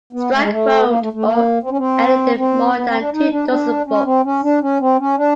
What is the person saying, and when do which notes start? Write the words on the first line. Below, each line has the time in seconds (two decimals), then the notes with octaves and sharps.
Stryk wrote or edited more than two dozen books.
0.13 B3
0.32 A3
0.41 G#3
0.49 A3
0.88 A#3
1.01 A3
1.13 A3
1.25 A#3
1.63 C4
1.70 C#4
1.78 C4
2.37 C4
2.75 B3
2.86 C4
2.99 D4
3.12 D#4
3.30 D4
3.44 D#4
3.49 D4
3.86 C#4
4.05 C4
4.24 C#4
4.42 D4
4.61 C#4
4.80 C4
4.99 C#4
5.17 D4